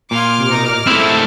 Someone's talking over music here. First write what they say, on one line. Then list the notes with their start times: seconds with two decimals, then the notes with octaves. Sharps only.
You are right.
0.11 A#2 F4 G#5 D6 F6
0.49 D#4 A#4
0.87 A3 C4 E4 G#4